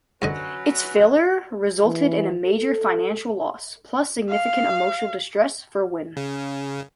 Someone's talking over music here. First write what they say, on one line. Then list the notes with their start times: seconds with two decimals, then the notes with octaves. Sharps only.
Its failure resulted in a major financial loss, plus significant emotional distress, for Wynn.
0.22 C2 D3 F#3 C#4 B4 D#5
1.86 E3
2.44 A4
4.29 F5
6.17 C#3